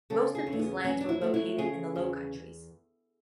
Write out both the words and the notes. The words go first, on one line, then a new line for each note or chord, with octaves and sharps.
Most of these lands were located in the Low Countries.
C#3 A4
G#4
E2
A3
B3
F#3 C#4
D4
E4
A3 F#4
E4
C#3 G#4
E2